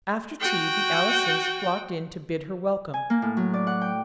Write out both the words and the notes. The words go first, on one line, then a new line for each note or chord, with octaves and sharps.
After tea the Allisons flocked in to bid her welcome.
F#4 G5
G#5
A#3
A2
F#3
D5
F#5
G5